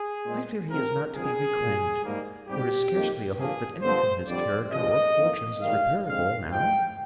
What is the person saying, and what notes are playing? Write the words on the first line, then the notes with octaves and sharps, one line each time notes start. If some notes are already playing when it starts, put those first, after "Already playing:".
I fear he is not to be reclaimed; there is scarcely a hope that anything in his character or fortunes is reparable now.
Already playing: G#4
A#2 G#3 C4
C3 F3 C4 A#4
G2 F3 C4 G#4
A#2 G3 A#3
G#2 G3 A#3
G#2 G3 C4 G4
F2 D#3 A#3
D3 F3 A#3 G#4
G2 D3 F3 C4 C5
F2 D3 G3 D5
C3 F3 G#3 D#5
F2 D#3 A#3
G#2 D#3 G3 F5
D3 G#3 C4 F5
G#2 F3 G#3 G5